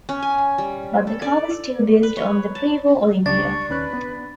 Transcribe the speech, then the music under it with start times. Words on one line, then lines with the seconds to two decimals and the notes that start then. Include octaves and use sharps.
But the car was still based on the pre-war Olympia.
0.09 C#4
0.23 G#5
0.58 G3
1.07 A4
1.22 D5
2.03 B4
2.17 C#5
2.55 A5
3.26 C#2 G3 D4 C#6 A6
3.70 D#2 C#4 B4 F#6
3.93 B3